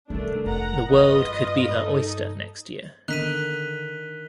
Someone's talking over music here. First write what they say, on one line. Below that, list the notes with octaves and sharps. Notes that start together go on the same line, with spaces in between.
The world could be her oyster next year.
C3 D#3 G3 A3 D4
F1 F#5 A#5
G2 F4 B4 D#5
D#4 A4
D3 D#3 F#6 B6 D#7